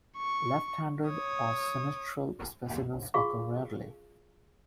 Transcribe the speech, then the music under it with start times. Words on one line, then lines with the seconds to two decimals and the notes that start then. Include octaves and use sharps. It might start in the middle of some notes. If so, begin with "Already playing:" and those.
Left-handed or sinistral specimens occur rarely.
0.17 C#6
1.08 C#5 D#6
3.14 F4 G#4 F5 C#6